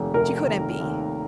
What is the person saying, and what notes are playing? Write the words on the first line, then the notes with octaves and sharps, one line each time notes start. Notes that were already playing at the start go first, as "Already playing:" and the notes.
She couldn't be.
Already playing: F1 D#2
F1 A#4
D#2
D#2